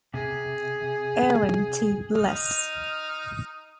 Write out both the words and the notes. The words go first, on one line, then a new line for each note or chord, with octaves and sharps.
Aaron T. Bliss.
C3 G#4
D#4 F6